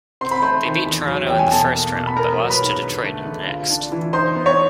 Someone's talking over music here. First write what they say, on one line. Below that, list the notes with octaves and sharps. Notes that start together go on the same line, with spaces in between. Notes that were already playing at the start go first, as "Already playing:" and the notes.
They beat Toronto in the first round, but lost to Detroit in the next.
C4 C6
B5
A3 C5 C6
D#3
E2
F#3
E2 G5
G#5
B2 A4 A5
A#3
B2
B5
B3 A#4 A#5
F#3
B4 B5
G#2
D3
A3
D3
F4
D4
E3
D#4 C5 C6
B3
C#5 C#6